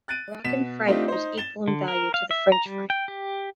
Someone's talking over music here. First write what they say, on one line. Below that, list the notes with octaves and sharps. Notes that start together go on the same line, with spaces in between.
The Moroccan franc was equal in value to the French franc.
F#6 A6 D7 D#7
B2 B6 E7
A3 C4 D4 D#4 F4 G4
D#4 C5
A6 E7 G7
D3
A#4
F5
E5
A#5
G3
G5
G4